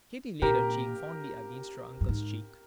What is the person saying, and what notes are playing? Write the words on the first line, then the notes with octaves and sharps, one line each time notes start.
Kitty laid her cheek fondly against her uncle's cheek.
A#2 G4 A#4
G2
G#2